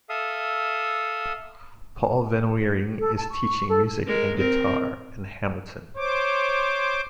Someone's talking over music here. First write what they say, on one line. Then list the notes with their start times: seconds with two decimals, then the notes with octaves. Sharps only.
Paul VanWering is teaching music and Guitar in Hamilton.
0.09 A4 E5 F5 D#6
2.99 A4
3.17 A5
3.30 C#6
3.68 A4
4.06 G#3 A#4
4.38 C4 A#4
5.97 C5 C#5 D6